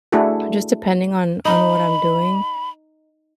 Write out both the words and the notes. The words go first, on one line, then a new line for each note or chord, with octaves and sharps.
just depending on on what I'm doing.
A3 D4 E4 F#4 G#4 A4
D#4 B5